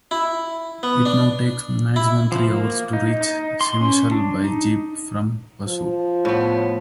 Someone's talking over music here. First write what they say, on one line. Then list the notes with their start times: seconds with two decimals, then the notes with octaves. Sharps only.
It now takes maximum three hours to reach Shimshal by jeep from Passu.
0.11 E4
0.83 B3
1.05 D4
1.96 E4
2.32 F3
2.51 A#3
2.93 D#4
3.21 D#4
3.61 C6
3.81 C#4
4.11 D4
4.44 D#4
5.68 F3
6.25 A2 B3